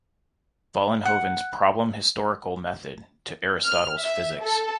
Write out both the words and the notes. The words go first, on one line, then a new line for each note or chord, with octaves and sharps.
Vollenhoven's problem-historical method to Aristotle's "Physics".
F#5
F6
E5
A4